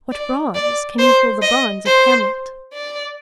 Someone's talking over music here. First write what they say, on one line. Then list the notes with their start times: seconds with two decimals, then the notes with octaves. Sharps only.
What bronze can equal the bronze of "Hamlet"?
0.11 D5
0.55 D5
0.99 C5
1.42 D#5
1.86 C5
2.73 D5